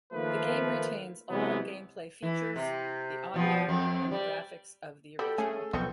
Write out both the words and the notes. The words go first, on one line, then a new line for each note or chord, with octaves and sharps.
The game retains all gameplay features, the audio and the graphics of the original.
D#3 F3 A3 A#3 B4
C3 E3 F#3 G#3 B3
E3
C3
B2 F3 C4
F2 C4
G3
G3 F#4 A4 G5 B5
A3 C#4 G#4 G#5
B1 F3 B3 C4 C#6